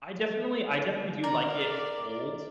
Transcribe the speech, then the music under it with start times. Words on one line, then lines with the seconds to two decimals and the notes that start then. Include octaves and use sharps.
I definitely I definitely do like it cold.
1.24 A#4 D5